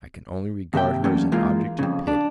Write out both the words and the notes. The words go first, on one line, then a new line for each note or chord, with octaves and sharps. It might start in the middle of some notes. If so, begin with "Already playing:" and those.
I can only regard her as an object of pity!
D#2 C3 E5 G5
E3 F#3 G3 A3 A#3 C#4
E3 G#3 A#3 D#4 F4
F2 C#3
D4